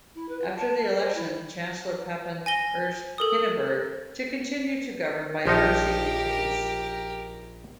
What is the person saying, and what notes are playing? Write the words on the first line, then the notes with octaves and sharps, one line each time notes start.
After the election, Chancellor Papen urged Hindenburg to continue to govern by emergency decrees.
E4
B4
F4
A5
A#4
C5
E4
G#5 A#6 G7
A4 A#4 D#6
A#1 F3 D#4 G4 A#4